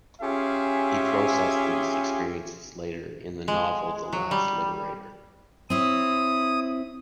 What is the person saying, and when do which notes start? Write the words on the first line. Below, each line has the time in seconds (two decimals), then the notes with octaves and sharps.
He processed these experiences later, in the novel “The Last Liberator”.
0.21 C#4 F4 G4 G#4 E5
3.48 G#3
4.13 F#3
4.31 G3
5.70 C4 E4 C#5 D#6